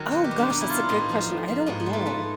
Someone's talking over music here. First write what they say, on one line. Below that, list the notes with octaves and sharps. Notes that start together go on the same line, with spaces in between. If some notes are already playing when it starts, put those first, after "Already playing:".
Oh, gosh, that's a good question, I don't know.
Already playing: D#3 F#3
B2 F#4
G4
G3
D4
B2 D#4
E4
G3 F4
E4
A2 D#4
F3
A2
F3 C4
G#2 B3
B3
F3
A3
G#2 A3